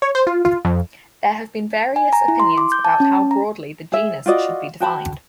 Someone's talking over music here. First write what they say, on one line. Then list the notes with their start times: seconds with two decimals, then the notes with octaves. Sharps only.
There have been various opinions about how broadly the genus should be defined.
0.02 C#5
0.15 C5
0.27 F4
0.45 F4
0.65 F2
1.96 G#5
2.13 A#5
2.28 E4
2.40 C6
2.58 D6
2.72 G6
2.85 A5
3.00 C#4
3.31 A#5
3.92 G#4 E5
4.26 F4 F#4 D5 D#5
4.80 F#4 G5 A5 B5